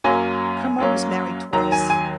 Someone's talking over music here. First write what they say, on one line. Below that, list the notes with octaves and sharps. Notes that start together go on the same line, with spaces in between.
Kermode was married twice.
F#2 F#3 A#3 C#4 G#5
F#2 F#3 A#3 C#4
D#2 D#3 F#3 A#5
G#5
G#5